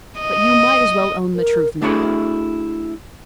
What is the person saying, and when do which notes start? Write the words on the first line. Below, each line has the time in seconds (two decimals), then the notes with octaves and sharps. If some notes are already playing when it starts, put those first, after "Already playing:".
But you might as well own the truth now.
0.19 D#5
1.35 A#4
1.82 A3 D4 E4 F#4 G#4 A4